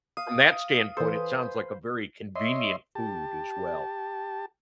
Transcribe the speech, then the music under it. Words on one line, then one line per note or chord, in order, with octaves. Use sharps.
from that standpoint, it sounds like a very convenient food, as well.
F5 D#6
E3 A4 B4 C5 G#5
C#5 D#5 E5 C6
G4 A5